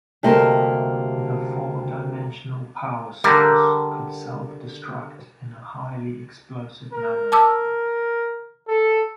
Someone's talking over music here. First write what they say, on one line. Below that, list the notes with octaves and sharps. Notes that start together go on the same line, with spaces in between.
The four-dimensional power source could self-destruct in a highly explosive manner.
D2 C3 G3 A#3 D#5 E5
D3 G3 A#4
A#4
A5 D6 E6
A4